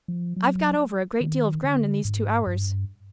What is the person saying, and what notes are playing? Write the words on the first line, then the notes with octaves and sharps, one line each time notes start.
I've got over a great deal of ground in these two hours.
F3
F#3
D#3
D3
G#2
G2